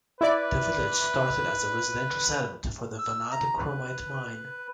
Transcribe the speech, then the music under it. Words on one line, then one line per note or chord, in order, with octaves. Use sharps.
The village started as a residential settlement for the Vanad chromite mine.
E4 B4 D5
E6
A#5
B4